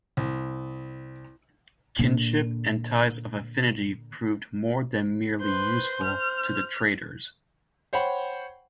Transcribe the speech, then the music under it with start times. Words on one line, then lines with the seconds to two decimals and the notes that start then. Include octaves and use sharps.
Kinship and ties of affinity proved more than merely useful to the traders.
0.17 C2
1.99 A#2 D3
5.41 B4 C5 C6
6.04 F6
7.93 C5 C#5 F#5 G5 B5